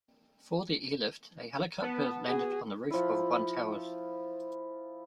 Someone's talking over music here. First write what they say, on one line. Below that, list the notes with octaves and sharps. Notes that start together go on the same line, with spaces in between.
For the airlift a helicopter landed on the roof of one towers.
B3 A5
F#4 G#4
F3 E4